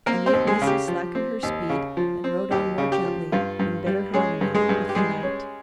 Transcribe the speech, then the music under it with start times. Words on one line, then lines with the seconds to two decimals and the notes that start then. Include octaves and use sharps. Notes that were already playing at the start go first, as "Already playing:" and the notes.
I made Missy slacken her speed, and rode on more gently, in better harmony with the night.
0.06 A#3 C4 A#4
0.26 C4 C5
0.33 D#2
0.47 G#3 G#4
0.61 C#3
0.67 G4
0.88 F3
1.15 C4
1.43 D#2
1.69 C#3
1.97 F3
2.24 C4
2.51 D#2 G4
2.78 C#3
2.92 G4
3.05 F3
3.32 G2 F4
3.59 G2
3.86 G3
4.14 G#3 C#4 G#4
4.41 G2
4.55 G#3 G#4
4.69 G2
4.89 G4
4.95 G3 G#3 G#4
5.23 C#4